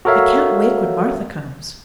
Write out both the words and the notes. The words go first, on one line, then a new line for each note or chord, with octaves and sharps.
"I can't wake when Martha comes."
F#4 A4 A#4 C#5 E5 F5